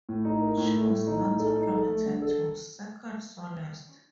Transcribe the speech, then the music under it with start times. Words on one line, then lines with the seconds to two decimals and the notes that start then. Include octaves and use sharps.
She was later promoted to second soloist.
0.09 A2
0.25 D#4
0.41 A#4
0.57 A2
0.74 A3
0.90 A2
1.07 D#4
1.24 A2
1.39 A4
1.56 D#4
1.73 A4
1.89 A3
2.05 D3
2.22 A4